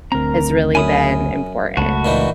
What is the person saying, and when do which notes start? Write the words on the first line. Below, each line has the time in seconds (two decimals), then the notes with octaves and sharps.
has really been important.
0.12 D2 C4 A#4 A#5
0.75 F#2 G#5 B5 D#6
1.77 C#2 A3 F#4 A5 B5
2.05 A#2 E3 D#4